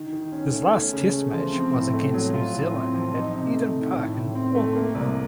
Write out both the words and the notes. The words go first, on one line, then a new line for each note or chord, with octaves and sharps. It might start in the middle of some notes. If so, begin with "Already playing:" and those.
His last test match was against New Zealand at Eden Park in Auckland.
Already playing: D#3
D#3
C#4
A3
C#4
C#3
A3
F3
C4
A2
A3
F#3
F4
A2
C4
F3
D#4
C3
A3
D#3
A2
A2
C4
A3
A#3
C2